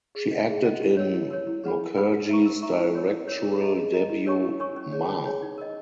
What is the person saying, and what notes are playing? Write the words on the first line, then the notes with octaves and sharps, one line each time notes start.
She acted in Mukherjee’s directorial debut "Maa".
G#4
D#5 F#5
G#4
D#5 F#5
E4
A#4 C#5
E4
A#4 C#5
E4
G#4 B4 F#5 B5
E4
G#4 B4 F#5 B5
A#4
E5 A#5 C#6
A#4
E5 A#5 C#6
E4
A#4 C#5
E4
A#4 C#5
G#4
D#5 A#5
G#4
D#5 A#5
E4
A#4 C#5 G#5 C#6
E4
A#4 C#5 G#5 C#6
C#4
G#4 C#5
C#4
G#4 C#5
D#4
A#4 D#5